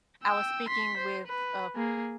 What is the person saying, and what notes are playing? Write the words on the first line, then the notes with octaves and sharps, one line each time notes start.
I was speaking with a
G5 E6
C6 B6
C5
B4
A#3 G#4